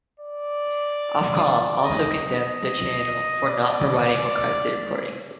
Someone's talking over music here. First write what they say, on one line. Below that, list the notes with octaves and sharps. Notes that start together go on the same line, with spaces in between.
Ofcom also condemned the channel for not providing requested recordings.
D5
D#5
D5